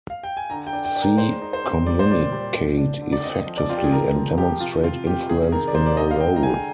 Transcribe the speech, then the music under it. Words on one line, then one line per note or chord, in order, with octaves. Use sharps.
C. Communicate effectively and demonstrate influence in your role.
F5
G5
G#5
D3 A#5
G5
D4
G5
D4
A#4
G#3 C5
D#4
C5
C4
G3 D5
C5
A#2 D5
G3
D4
D4
D3
D5
C4 D#5
F3
D5
C4 F4
G4
G#4
C4 A#4
F3
F3 G4
C3 F4
C3 F4
C3 G4
C3 G#4
D#3 A#4
D5
C3 C5
D5
D3 D#5
F5
G#3 G5
A#5
D3 G#5